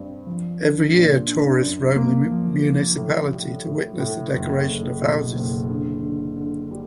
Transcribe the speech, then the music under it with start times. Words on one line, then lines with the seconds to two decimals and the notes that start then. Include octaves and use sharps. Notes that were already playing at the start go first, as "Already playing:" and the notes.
Every year, tourists roam the municipality to witness the decoration of houses.
Already playing: G2 C4
0.27 F3
0.61 D4
0.94 A#2
1.28 D4
1.61 F#2
1.96 A#3
2.30 F3
2.63 F3
2.97 A2
3.32 G3
3.66 A2
3.99 A2
4.33 F#1
4.67 F#1
5.02 B2
5.36 F#1
5.69 D3
6.02 D3
6.36 D3
6.71 G3